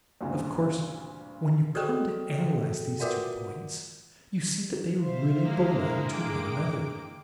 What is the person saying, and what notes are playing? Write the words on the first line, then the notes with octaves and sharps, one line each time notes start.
Of course, when you come to analyze these two points, you see that they really belong to one another.
D2 G2 A#2 C#3 C4
F#4 G#4 A4 G5
F4 F#4 A#4 D5 F#5
C5 E5 F5
G#3 A#3
D3 E4 A#4
G5 D6 D7